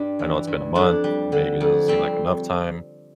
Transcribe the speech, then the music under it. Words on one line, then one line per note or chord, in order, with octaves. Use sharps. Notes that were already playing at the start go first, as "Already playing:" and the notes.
I know it's been a month. Maybe it doesn't seem like enough time.
Already playing: G2 G3 D4
E3
G2
F2 D4
G3
D3
F2
G3 C4